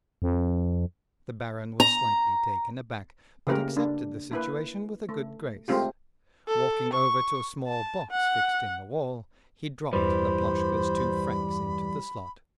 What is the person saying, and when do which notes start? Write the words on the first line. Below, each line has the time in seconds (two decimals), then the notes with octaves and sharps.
The Baron was slightly taken aback, but accepted the situation with a good grace. Walking over to a small box fixed in the wall, he dropped Laploshka's two francs into the slot.
0.22 F2
1.80 A#5
3.47 C#3 A3 A#3 G4 A#4
3.77 D4
4.31 A#3 E4 B4
5.09 A3
5.68 G#3 A3 C4 F4 G4
6.48 A4
6.93 C#6
7.67 A5
8.10 F#5
9.93 E2 G2 E3 G3 B4 C5 B5